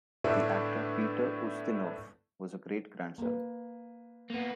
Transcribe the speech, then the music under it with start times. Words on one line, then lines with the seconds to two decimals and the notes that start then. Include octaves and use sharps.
The actor Peter Ustinov was a great-grandson.
0.24 A2 D3 A3 B3 D4 E4
3.18 A#3 B4
4.30 A#3 B3